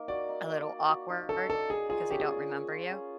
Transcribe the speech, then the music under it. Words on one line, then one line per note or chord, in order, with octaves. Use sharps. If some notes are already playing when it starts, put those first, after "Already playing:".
a little awkward because they don't remember you.
Already playing: A#3 D#4 A#4
F#4 D5
D#4
A#3
A#4
F#4
D#4
C#4 A4
A4 D5
G#4 A#4
F4 G#4
C#4 G4
G#4
D5
A#4
F4
C#4